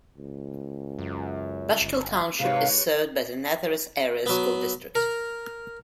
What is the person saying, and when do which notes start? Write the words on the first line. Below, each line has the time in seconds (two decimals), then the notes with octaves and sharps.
Bushkill Township is served by the Nazareth Area School District.
0.17 C#2
0.99 F#2
1.82 G1
2.40 G#2 C3 G4 B4 C#5 F5
4.26 F#3 B3
4.95 A#4